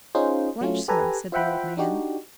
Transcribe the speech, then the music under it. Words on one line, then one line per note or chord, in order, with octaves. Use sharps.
"Lunch, sir," said the old man.
C#4 D#4 F4 G#4 C5
F#3 A3 C#4 F4
G4 A4 B4 G#5 A#5
F4 C5 E5 F#5 G5 B5
D4 D#4 F#4 G4